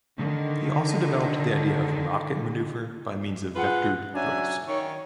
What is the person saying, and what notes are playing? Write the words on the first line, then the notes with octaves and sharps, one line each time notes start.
He also developed the idea of rocket maneuver by means of vectored thrust.
D3 D#3
F4 G#4 B4 F#5
F#3 C#4 D4 E5 G#5
D#3 C#5